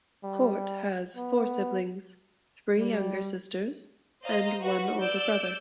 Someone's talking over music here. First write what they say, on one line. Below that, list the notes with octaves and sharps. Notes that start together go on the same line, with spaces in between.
Cort has four siblings-three younger sisters and one older brother.
G3
B3
G3
C5 D#5 F5 A#5
F#4 B4
D5 E6 G6 D7